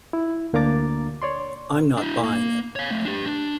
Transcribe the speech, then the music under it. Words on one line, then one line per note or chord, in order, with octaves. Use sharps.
I'm not buying it.
E4
D2 A#3 D4 A#5 D6 A6
C#5 D5 C6
D4 E4
A#3
C#5 F5
A3 C4
D4 G4
D4